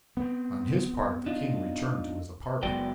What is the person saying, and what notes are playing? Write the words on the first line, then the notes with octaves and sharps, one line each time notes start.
On his part the king returned to his apartment.
B3 C4
D4 D#4 F4
F#1 G#3 B3 F#4 D5 G5